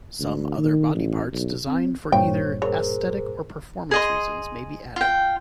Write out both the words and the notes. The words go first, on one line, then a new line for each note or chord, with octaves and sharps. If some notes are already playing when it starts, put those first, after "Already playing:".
Some other body parts, designed for either aesthetic or performance reasons may be added.
D2
D#3
A1
B1
C4
G2 A#2 C5 C#5 G5
G#4 A#4 C5 C#5
G#4 D#5 C6
F4 G5